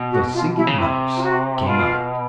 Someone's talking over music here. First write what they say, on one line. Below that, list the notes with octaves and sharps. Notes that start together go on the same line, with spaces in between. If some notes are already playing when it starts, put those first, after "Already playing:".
The Singing Mouse came out.
Already playing: B2
F#4
F4
E4
C#3
C3 E4
F4
F#4
B2 F4